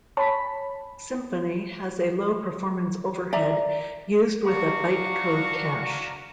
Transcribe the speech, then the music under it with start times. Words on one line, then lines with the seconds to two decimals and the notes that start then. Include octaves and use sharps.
Symfony has a low performance overhead used with a bytecode cache.
0.17 C#5 G#5 A5 B5 C#6 B6
3.33 D5 E5 A#5
4.45 D4 F#4 F5 A#5 C#6